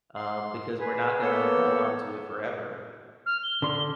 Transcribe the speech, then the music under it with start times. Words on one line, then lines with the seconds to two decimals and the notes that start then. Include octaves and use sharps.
um, because we're not gonna uphold on to it forever.
0.16 C6
0.80 G#4 B4
1.22 A#3 B3 A4 C#5 E6 G6
3.26 F6
3.43 G7
3.62 D3 C6